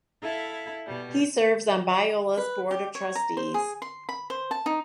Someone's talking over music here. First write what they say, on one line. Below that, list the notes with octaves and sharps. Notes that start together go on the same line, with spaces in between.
He serves on Biola's Board of Trustees.
E4 A4 E5 F5
B2 G3
B4
G4
C#5
A#5
C5
G#4
C6
B5
C5
A5
D#4